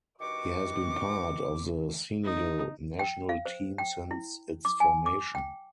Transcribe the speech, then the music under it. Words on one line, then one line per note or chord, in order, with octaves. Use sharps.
He has been part of the Senegal national team since its formation.
G2 D#3 F#4 C#6 D6
D#4
G5
F5
C5
G5
E4
D6
G#5
D6
G5